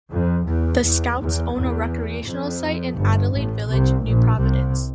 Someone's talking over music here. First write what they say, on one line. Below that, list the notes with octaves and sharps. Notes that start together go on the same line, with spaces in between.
The Scouts own a recreational site in Adelaide Village, New Providence.
F2
E2
E2
E2
E2
F2
G1 G2
A1 A2
C2 C3
A#1 A#2
C2 C3